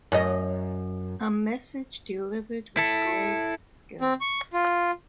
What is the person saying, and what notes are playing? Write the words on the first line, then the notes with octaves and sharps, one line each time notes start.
A message delivered with great skill.
F#2 D#5
E4 A4
C4
C#6
F4